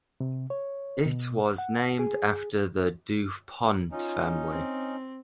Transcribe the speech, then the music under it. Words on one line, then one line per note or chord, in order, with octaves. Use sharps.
It was named after the Du Pont family.
C3
C#5
B2
F#5
G#4
C#4 D#4 F4
C4